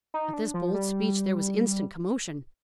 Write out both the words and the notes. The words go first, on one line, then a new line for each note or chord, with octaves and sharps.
At this bold speech there was instant commotion.
D#4
D4
F3
G3